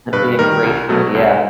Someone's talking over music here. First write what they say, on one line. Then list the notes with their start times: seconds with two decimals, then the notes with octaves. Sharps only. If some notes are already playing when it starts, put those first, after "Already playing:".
And being grateful. Yeah.
0.13 G2 B4
0.39 D#3 G3 A#4
0.64 C2
0.89 B2 F#3 A3
1.15 C2